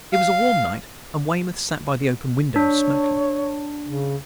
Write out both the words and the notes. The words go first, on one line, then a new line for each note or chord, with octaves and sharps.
It was a warm night, and Weymouth sat by the open window, smoking.
F5
D4 C#5
C#3